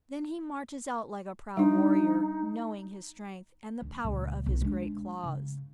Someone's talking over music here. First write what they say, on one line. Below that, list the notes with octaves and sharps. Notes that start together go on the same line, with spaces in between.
Then he marches out like a proud warrior, knowing his strength, and the power of his great claws.
G3 D4 D#4
D2
C#2 A#2
B1
G#3 D4
C#3